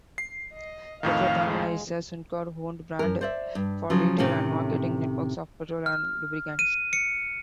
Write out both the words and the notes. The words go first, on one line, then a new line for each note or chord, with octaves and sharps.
Petro-Canada is a Suncor-owned brand for retail and marketing networks of petrol and lubricants.
C7
D#5
F2 A2 D#3 F5
G#3
F#2 A#4
C5 D5 E5
G2
C#3 F3 F#3
A2 C3 D#3 A3 C#4
F6
D#7
C#7